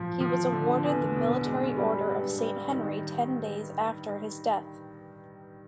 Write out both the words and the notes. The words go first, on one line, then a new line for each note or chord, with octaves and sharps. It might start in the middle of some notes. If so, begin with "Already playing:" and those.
He was awarded the Military Order of Saint Henry ten days after his death.
Already playing: A2 F3
F3
D3
E2
B2
G#3
G3
G2
G3
D#3